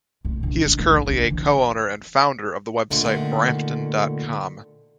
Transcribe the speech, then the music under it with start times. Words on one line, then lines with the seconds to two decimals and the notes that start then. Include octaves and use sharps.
He is currently a co-owner and founder of the website Brampton dot com.
0.25 A1
0.43 A#1
0.66 D#3
0.79 A1
0.93 D3
1.07 D3
1.30 E3
2.91 A#2 D3 D#3 A3